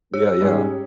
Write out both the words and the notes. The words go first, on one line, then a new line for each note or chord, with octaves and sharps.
Yeah, yeah.
G4
G#2 G3 C#4 G#4